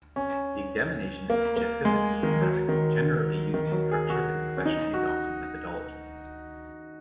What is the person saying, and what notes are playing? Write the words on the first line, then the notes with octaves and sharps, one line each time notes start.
The examination is objective and systematic, generally using structured and professionally adopted methodologies.
C#4
A#3
A#3
G#3
D#3
F#3
D#3
D#3
F#3
G#4
F#4
C#4
D#4
F#4